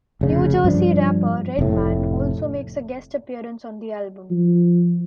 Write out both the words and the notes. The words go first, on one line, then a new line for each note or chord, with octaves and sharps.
New Jersey rapper Redman also makes a guest appearance on the album.
F1 C#3
G2 F3 D4
F1 A2
F3